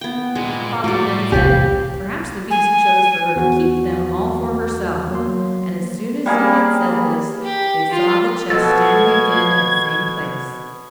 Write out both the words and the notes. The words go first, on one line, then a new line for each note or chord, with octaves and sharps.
Her father then said, perhaps the beast chose for her to keep them all for herself; and as soon as he had said this, they saw the chest standing again in the same place.
B3 G5
A#2 G#3
A2 F#4 D5
E1 C2 G4 B4 D5 F5
G#5
E2 F#4
F#3 A#3 C6
G3 A#3 G#4
G4
F4
B2 A4 G#6